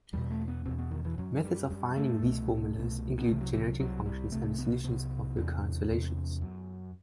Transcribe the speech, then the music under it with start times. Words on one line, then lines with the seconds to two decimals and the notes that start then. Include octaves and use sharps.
Methods of finding these formulas include generating functions and the solution of recurrence relations.
0.13 E2 B2 G3
0.30 A3
0.48 B3
0.65 E2 B2 C4
0.78 B3
0.91 D#3
1.05 E3
1.18 F#2 F#3
1.44 G3
1.70 F#2 G3
1.97 A3
2.22 C2 B2
2.75 C2 B2
3.18 B3
3.27 C2 C3 A3
3.41 F#3
3.53 E3
3.67 F#3
3.79 C2 C3 F#3
4.06 G3
4.32 C2 C3 A3
4.58 B3
4.84 C2 C3 B3
5.37 E2 C3
5.89 E2 C3
6.41 F#2